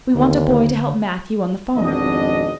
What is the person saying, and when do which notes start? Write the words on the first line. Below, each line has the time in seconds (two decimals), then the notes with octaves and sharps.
We want a boy to help Matthew on the farm.
0.15 D#2 D3
1.76 G#1 F2 B2 D4 D#5